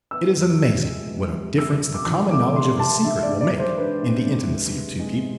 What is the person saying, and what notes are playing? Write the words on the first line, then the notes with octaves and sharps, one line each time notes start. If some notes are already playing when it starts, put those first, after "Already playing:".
It is amazing what a difference the common knowledge of a secret will make in the intimacy of two people.
B3 E6
F2
C3
G#3
B3
F2
C3 E6
C3
D6
F3
A3 D6
C3 C6
C3 A5
G#2 E5
D5
G#2
D5
G#3
C5
D4 B4
G#2
G#2
C3
C3
G#3